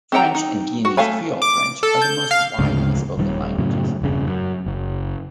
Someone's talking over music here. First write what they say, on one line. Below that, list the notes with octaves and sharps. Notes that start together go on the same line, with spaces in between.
French and Guianese Creole French are the most widely spoken languages.
C4 G4 F#5 G5 A#5
D#4
F#4
A3 F5 G#5 B5
D6
A4
G6
F5
D2 G#2 C#3
D#1 D#3 F#3 G3
F#2 A2 C#3
E1 G2 C#3
F#2
F#1